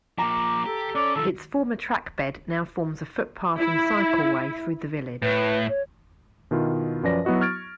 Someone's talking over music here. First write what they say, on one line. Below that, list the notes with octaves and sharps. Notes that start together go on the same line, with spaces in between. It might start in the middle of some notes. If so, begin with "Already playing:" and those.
Its former trackbed now forms a footpath and cycleway through the village.
F3 A#3 A#5 D6
G4 A4
C#4 D5
D#3 F3 A4
E4
A2 B4
C#5
B2 D#3 E4 F4
F#2 F3 C#4 B4 D5 A#6
F#3 B3 E4 F#4 D#5
C#6 F6 G#6 A6 D7